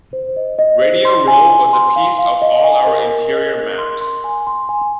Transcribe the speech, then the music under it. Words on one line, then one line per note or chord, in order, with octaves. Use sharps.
Radio Row was a piece of all our interior maps.
C5
D#5
D#5
C5
C6
G#5
G#5
C6
F5
F5
D#5
G#5
A#4
A#4
D#5
A#4
C6
C6
G#5
C6
G#5